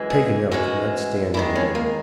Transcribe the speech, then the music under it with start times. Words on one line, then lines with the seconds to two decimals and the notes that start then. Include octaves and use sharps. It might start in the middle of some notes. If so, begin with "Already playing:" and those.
Paganel could not stand any more.
Already playing: F#2 E3 G#3
0.10 G#4
0.51 F#2 E3 G#3 F#4
1.34 E2 D#3 G#3 E4
1.55 C#4
1.75 A#3